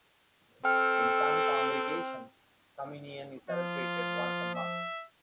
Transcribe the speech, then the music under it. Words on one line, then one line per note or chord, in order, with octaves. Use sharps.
In some congregations communion is celebrated once a month.
C4 A4 G5 F6
F3 F4
E5